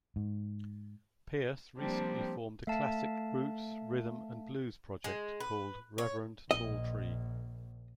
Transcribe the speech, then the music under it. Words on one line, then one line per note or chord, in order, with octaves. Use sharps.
Pierce recently formed a classic roots, rhythm and blues project called Reverend Tall Tree.
G#2
F3 G3 A#3 C4 D4
A3 E5 F5 A5
G#3
B4
C#5
A#1 D#5